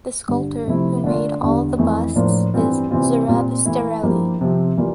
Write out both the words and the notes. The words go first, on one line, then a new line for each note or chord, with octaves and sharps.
The sculptor who made all the busts is Zurab Tsereteli.
G2 D3 G3
C3 F3 A3 E4
D3 A3 D4 F4
E2 D3 G3
F2 E3 A3 E4
A2 F3 A#3 D4 F4
G2 E3 G3 C4 F4
C3 E3 G3 C4 F4
A#2 G3 C4 F4
E3 A3 E4
G2 F3 A#3 E4 G4
C3 F3 C4
E3 G3 A#3 F4